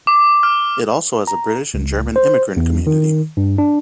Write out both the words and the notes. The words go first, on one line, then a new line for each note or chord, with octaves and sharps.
It also has a British and German immigrant community.
D6
F6
A#5
C#2
C5
E2
D#3
G2
D4